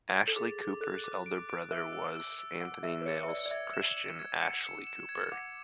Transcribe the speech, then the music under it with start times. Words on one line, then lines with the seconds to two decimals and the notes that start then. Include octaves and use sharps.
Ashley-Cooper's elder brother was Anthony Nils Christian Ashley-Cooper.
0.14 A6
0.28 A4
0.36 G#4 D6
0.58 A6
0.81 A4 F#6
1.04 D6
1.26 D7
1.49 D7
1.71 E5 E6
1.93 E6
2.16 E6
2.39 E6
2.61 F#5 E6
2.83 E5 E6
3.01 B4
3.06 C#5 C#7
3.23 E5
3.28 D5 E6
3.46 D5
3.51 E5 G#6
3.74 E7
3.97 C#7
4.19 G#6
4.41 F#5 C#7
4.64 C#7
4.87 E7
5.09 G#6
5.32 F#5 D6